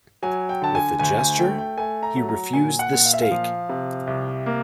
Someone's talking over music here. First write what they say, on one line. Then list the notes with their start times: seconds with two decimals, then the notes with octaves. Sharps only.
With a gesture he refused the stake.
0.23 F#3 G#5
0.49 G5
0.62 D3 A5
0.75 G#5
0.99 D2 G#5
1.19 G#5
1.39 A3 G5
1.58 G5
1.78 A3 G#5
2.03 A#5
2.16 F#3
2.29 A#5
2.53 A#2 G#5
2.79 F#5
2.93 A#2
3.05 F5
3.14 E5
3.22 F5
3.31 F3
3.69 C3
4.07 C2
4.46 A#3